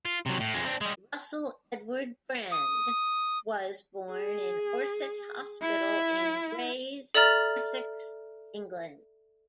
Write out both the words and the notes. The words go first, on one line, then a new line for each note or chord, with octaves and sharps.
Russell Edward Brand was born in Orsett Hospital in Grays, Essex, England.
F4
C3 F#3
A2
F2 G#3
C4 D4
G3 G#3
D#6
G#4
E4
A4 D5 E5 A#5 F6 A6